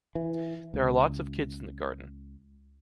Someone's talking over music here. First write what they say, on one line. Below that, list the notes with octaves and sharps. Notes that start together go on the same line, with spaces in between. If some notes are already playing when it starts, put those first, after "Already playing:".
There are lots of kids in the garden.
E3
C#2